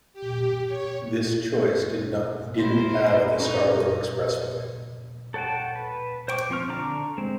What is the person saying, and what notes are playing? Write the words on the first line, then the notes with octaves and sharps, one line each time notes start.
This choice didn't have the Scarborough Expressway.
G4
C#5
E4 A#4 C5
C#4 D#4 A4 A#5
A4 C#5 F#5 G5 A5
B4
C5 G5 C#6 D6
F3 C4 C#6 F6
D3 D4 A#5 C#6 D6
G#3 C4